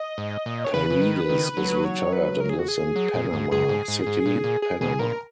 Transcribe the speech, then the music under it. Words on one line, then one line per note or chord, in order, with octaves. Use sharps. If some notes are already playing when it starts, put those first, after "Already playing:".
Paredes is retired and lives in Panama City, Panama.
Already playing: D#5
G#2
A#2
C#5
C#3 B4
C#3
D#3
D#3
F#3
C#5
B4
A#4
G#4
F#4
G#4
F#3
A#2
G#2
F#2 G#4
G#2
G#2
G#2
A#2
A#2
G#4
B2 G#4
A#2 A#4